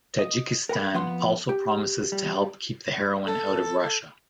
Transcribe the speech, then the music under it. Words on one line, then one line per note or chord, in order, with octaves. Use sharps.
Tajikistan also promises to help keep the heroin out of Russia.
D#5
A#4 F#5 G5 B5
F2 F3 B3 F#5 C6
G4
G3
A4